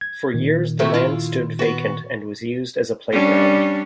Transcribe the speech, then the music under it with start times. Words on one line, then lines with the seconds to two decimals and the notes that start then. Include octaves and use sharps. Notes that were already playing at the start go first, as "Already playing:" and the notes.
For years the land stood vacant and was used as a playground.
0.01 G#6
0.34 A#2 D#3
0.79 C3 F#3 A3
0.94 E4 F4
1.59 B3 F#4
3.11 G3 C#4 D4